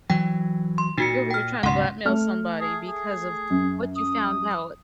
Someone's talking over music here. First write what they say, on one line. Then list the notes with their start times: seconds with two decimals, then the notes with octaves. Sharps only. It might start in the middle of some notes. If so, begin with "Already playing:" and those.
You're over here trying to blackmail somebody because of what you found out.
0.10 E3 F#3 G5
0.78 C6
0.98 A#2 D#4 F#4 C#7
1.30 G5 F6
1.63 C#2 G#2 B2 F#5 C6
2.05 A3 F6
2.60 G#4
2.88 G#4
3.50 F#2
3.96 D#6